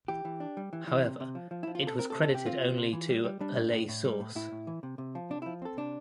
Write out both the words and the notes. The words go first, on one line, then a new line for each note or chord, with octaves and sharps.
However, it was credited only to a "lay source".
E3 G4
E3
D4
G3
E3
E3
C3
C3
F3
F3
F3 E4
F4
C3
A4
C4 A#4
A4
C3
A4
C3 G4
C4 F4
C4
C3
E3
G3
G3
G3 D4
A2
A2
A2
G3
A2
A2 E4
A2
E3
C3
C3
F3
C3 D4
F3 E4
C4 A4
C3 D4